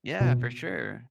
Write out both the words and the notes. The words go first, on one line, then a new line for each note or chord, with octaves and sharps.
Yeah, for sure.
B2